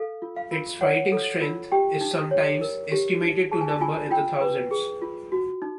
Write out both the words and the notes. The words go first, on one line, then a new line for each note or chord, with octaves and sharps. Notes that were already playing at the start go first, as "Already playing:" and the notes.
Its fighting strength is "sometimes estimated to number in the thousands".
Already playing: A4 F5
F4
F5
F4
C#5 F#5
A4
F4
G4 G5
D#4
C#5
A#4
G4
D#4
G#4 A5
G#5
A5
F4 G#5
F4 G5
B4
G#4
F4
F#4
D#4